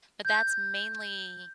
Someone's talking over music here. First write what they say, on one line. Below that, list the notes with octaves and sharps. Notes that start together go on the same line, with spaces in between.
But that's mainly,
G6